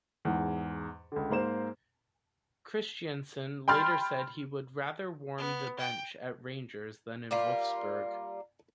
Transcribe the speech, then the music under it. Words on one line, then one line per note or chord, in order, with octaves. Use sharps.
Christiansen later said he would rather warm the bench at Rangers, than in Wolfsburg.
E2 G#2
C#2 D3
G#2 A#3 C5 E7
G5 B5 C6 F6 A6
B3
G5
G3 A#3 F4